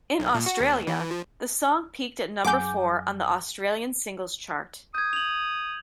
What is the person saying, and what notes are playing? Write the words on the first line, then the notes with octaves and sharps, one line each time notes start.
In Australia, the song peaked at number four on the Australian Singles Chart.
B1
A#2
F#4
D#2
E3
F3
F#2 G#4 F#5 G#5 D6 G6
D#6 G6 G#6
F7 F#7